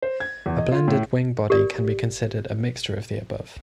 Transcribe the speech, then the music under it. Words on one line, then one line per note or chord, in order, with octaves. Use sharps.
A blended wing body can be considered a mixture of the above.
C5
G#6
E2
D#5
F4
A2
G4 A#4 D5